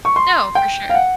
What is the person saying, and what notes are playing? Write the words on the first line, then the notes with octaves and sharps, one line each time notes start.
No, for sure.
C#6
C6
G5
F5
F#5